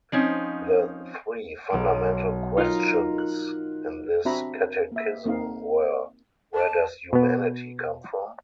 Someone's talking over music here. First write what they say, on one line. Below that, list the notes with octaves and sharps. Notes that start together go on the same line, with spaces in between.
The three fundamental questions in this catechism were: Where does humanity come from?
F3 C4 C#4 D#4
B1 B3 D7
D#4 F4 A#4
F#6
C4 D4 F#4 E5 A#5 B5
A#3 E5
A#3 C4 D#4 F5
A5
B2 B3